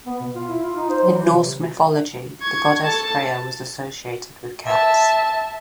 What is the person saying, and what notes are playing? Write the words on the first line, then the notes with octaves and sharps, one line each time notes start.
In Norse mythology, the goddess Freyja was associated with cats.
B3
B2
F4
E4
F4
D#4
C5
F#3
E3
C3
C#6 G#6
A4 A5
E5 A5